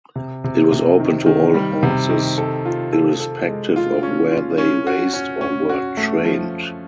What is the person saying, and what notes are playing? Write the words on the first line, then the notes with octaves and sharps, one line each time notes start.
It was open to all horses irrespective of where they raced or were trained.
C3
C3
C3
D#3
D#3
G3
C3
D#3
A4
F4
A4
A4
G#3
F4
C#4
F4
C#4
F#4
C#4
C#4
F#4
A3
F3